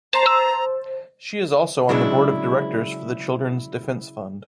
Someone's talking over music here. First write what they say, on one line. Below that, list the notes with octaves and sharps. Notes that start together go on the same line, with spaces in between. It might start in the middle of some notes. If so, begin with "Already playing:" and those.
She is also on the Board of Directors for the Children's Defense Fund.
A#5
C#3 F#3 G#3 D4 E4